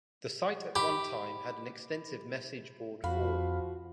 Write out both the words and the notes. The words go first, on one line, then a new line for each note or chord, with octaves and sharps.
The site at one time had an extensive message-board forum.
G4 B5
F2 F3 F#4 F5 B5